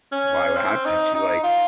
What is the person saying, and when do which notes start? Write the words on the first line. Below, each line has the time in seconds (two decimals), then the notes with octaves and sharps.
why, what happened?" and she's like,
0.12 C#4
0.56 C4
0.85 D#4
1.15 D#4
1.43 F4